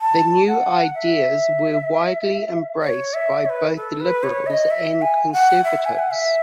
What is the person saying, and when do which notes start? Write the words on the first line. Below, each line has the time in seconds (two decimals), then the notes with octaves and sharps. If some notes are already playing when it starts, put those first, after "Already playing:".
The new ideas were widely embraced by both liberals and conservatives.
0.01 A5
0.48 F#5
0.95 E5
2.82 C#5
3.14 E5
3.45 C#5
3.50 B4
3.76 A4
4.00 B4
4.23 C#5
4.47 E5
4.50 D#5
4.70 E5
5.02 G#5
5.33 F#5
5.64 E5
5.85 G#5
5.99 F#5
6.11 E5